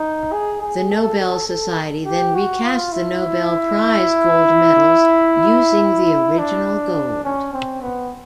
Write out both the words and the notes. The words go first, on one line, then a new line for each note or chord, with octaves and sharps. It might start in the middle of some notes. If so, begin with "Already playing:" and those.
The Nobel Society then re-cast the Nobel Prize gold medals, using the original gold.
Already playing: D#4
G#4
G#4
A4
A4
A4
G4
F#4
F4
E4
D4
C#4
C4
B3